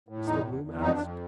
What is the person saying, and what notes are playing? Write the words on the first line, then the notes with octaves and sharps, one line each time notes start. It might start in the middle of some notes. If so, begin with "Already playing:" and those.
Mr Bloom asked.
A2
E2 D#4
E2
E2
F2 D#4
D4
F2